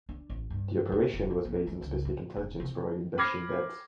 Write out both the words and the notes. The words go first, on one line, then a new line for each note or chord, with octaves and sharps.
The operation was based on specific intelligence provided by Shin Bet.
D4
A1
G2
A2
F1
A#1
A#1
G#3
C#2
A2
F1
C3
B5 D6 F6 G#6 A#6 C7